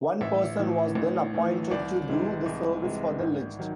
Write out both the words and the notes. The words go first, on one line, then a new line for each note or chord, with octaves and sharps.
One person was then appointed to do the service for the legd.
A1 E5
A2 E3
A1
A2 E3
C2 D5
C3 E3 G#3
C2
C3 E3 G#3
G#1
D#3 F#3